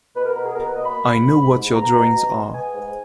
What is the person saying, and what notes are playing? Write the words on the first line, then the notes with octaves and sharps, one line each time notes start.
I know what your drawings are.
B2 B4
A#4
B2 A#4
G#4
B2 A#4
B4
A#3 D#5
B5
A#3
G#2
G#2
G#2
B2 A#5
B2
B2
G#3
B3 G#5
G#2